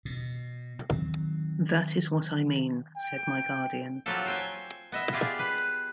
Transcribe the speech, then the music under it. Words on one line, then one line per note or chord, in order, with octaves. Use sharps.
"That is what I mean," said my guardian.
B2
D#3 F#3 C4
G5
F#3 C4 F4 G4 A4
C5 G5 G#5
B3 D#5 E5
F4 G4 G#4 D5
B4